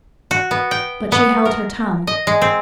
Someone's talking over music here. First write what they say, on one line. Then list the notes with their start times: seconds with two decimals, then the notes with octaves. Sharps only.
But she held her tongue.
0.31 F#4
0.51 B3
0.71 G5
1.12 B3
1.45 A#4
2.07 D#5
2.27 G#3
2.42 C4